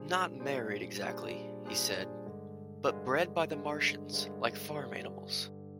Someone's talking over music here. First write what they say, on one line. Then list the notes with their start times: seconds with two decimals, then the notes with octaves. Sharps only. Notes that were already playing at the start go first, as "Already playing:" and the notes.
'Not married exactly-' he said, 'but bred by the Martians-like farm animals.
Already playing: A#2 G3 D4 G#4 C5
0.40 A#2 G3 D4 G#4 C5
1.02 A#2 G3 D4 G#4 C5
1.65 A#2 G3 D4 G#4 C5
2.26 G2 D3 G#3
2.88 G2 D3 G#3
3.50 G2 D3 G#3
4.13 G2 D3 G#3
4.74 G2 D3 G3